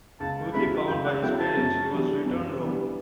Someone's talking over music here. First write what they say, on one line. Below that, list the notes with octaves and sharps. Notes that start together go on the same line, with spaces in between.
Quickly found by his parents he was returned home.
C#2 A5
C#3 F#3 A3 E4 B5
C#2 G5
F#5
C#3 F#3 A3 E4 G5
A5
F#2
E3 G3 B3 D4
F#2
E3 G3 B3 D4